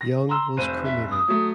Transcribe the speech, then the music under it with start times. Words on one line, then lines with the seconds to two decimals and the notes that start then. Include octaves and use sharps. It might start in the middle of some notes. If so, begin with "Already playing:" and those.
Young was cremated.
0.01 A#6
0.29 A#5 C6 E6
0.57 F1 C5 D#7
0.84 E5
1.11 D#6
1.28 F#3 A3